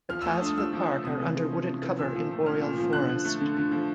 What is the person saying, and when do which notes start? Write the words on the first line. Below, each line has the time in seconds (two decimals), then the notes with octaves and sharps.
The paths of the park are under wooded cover in boreal forest.
0.10 F3 F6
0.22 E6
0.25 A3
0.33 D#6
0.41 D4
0.46 D#6
0.58 F3 E6
0.73 F3
0.88 A3
1.04 C3 D#6
1.21 E3
1.36 G#3
1.52 C#4
1.67 C3
1.82 E3
1.99 A#2 E6
2.15 F3
2.31 A3
2.46 C#4 F6
2.61 A#2
2.77 F3
2.93 D3 F#6
3.09 F3
3.25 A3
3.41 D3
3.57 D3
3.71 F3